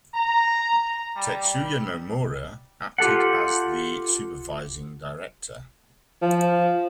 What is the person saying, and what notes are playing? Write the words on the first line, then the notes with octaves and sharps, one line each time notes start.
Tetsuya Nomura acted as the supervising director.
A#5
G3
F4 G4 A4 F#5
F3